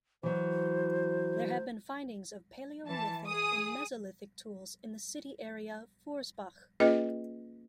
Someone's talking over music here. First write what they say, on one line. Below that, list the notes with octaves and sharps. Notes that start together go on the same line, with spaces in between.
There have been findings of Paleolithic and Mesolithic tools in the city area "Forsbach".
E3 F#3 C5
E3 A5
G#4 D#6
A#3 C#4 F4 G#4 B4 D#5